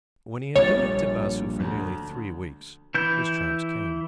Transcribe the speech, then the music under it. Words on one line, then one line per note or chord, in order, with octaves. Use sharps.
When he had been at Tibasu for nearly three weeks his chance came.
A#1 A#2 G3 C#5 A6
D2
E3 E4 G6